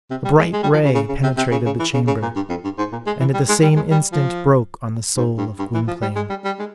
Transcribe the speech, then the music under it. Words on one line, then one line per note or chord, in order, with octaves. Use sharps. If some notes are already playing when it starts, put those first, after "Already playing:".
A bright ray penetrated the chamber, and at the same instant broke on the soul of Gwynplaine.
C3
G3
G#3
G#3
G3
F3
C#3
C#3
C#3
C3
C3
C#3
C#3
E3
C#3
C#3
A#2
G2
F2
G2
G#2
A#2
G#3
E3
G3
G#3
G3
G#3
G3
F3
G#2
G2
G2
E3
F3
G3
G#3
G3
G3
G#3